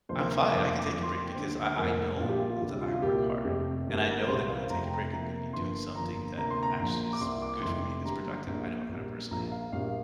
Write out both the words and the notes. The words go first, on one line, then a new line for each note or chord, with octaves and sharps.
I'm fine. I can take a break because I I know that I work hard. And I know that when I take a break, I'm gonna be doing something that actually is good for me, that's productive. I know what kind of person I am."
D2 C3 F3 A#3 C5
C5
A#4
C5
F1 F2 D3 F3 A#3 D6
C6
D6
F2 F3 A#3 D6
C6
C6
G5
D2 D3 A#3 C5
F1 F2 F3 A#3 A#4
A#1 A#2 F3 A#3 F4
G4
F4
F4
D2 C3 G3
F4
F4
C2 A#2 G3 A#3 G4
F1 F2 C3 G4
G1 G2 G3 A#3
A#4
C2 A#2 G3 A#3 C5
F5
F1 F2 C3 F3 A#5
G5
A#5
F2 C3 F3 A#3
G1 G2 F3 A#3 C6
G1 F2 F3 A#3 A#5
D2 C3 A#3 A#5
C6
A#5
A#1 A#2 F3
D6
C2 C3 A#3 C6
D6
F1 F2 C3 F3 C6
G1 G2 D3 G3 A#3 A#5
A#1 A#2 A#3
A#1 A#2 G3
A#1 A#2 F3 A#3 A#5
F5
A#1 A#2 G3 A#3 F5